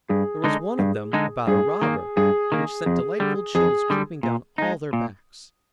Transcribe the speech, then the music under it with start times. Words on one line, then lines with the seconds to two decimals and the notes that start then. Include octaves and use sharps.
There was one of them about a robber, which sent delightful chills creeping down all their backs.
0.09 G2 G#4
0.44 D3 G#3 D#4
0.79 G2
1.13 D3 G#3 D#4
1.47 G2 G#4
1.82 D#3 A#3
2.17 G2 G#4
2.52 D#3 A#3
2.86 F2
3.20 D3 G3
3.55 F2 G#4
3.90 D3 G3
4.23 A#2
4.58 G#3 D#4
4.93 A#2